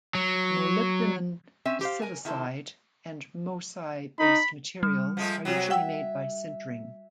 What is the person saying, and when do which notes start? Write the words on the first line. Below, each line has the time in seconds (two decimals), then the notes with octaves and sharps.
Molybdenum disilicide and MoSi-based materials are usually made by sintering.
0.15 F#3
1.65 C4 C#4 E5
1.81 G4 C5 F5
2.02 A#4 G#5
2.25 D#3 E4 A4 C5
4.19 D#4 B5
4.83 G3
5.17 F3 G#3 A3
5.45 C3 F#3
5.70 E5 F#5 G5 E6